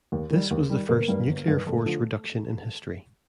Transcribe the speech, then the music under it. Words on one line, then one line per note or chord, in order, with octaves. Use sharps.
This was the first nuclear force reduction in history.
D#2
D#3 G3
D#2
D#3 G3
G1 A#3
G2 D#3 G3
G1
G2 D#3 G3
G1 A3
D3 F3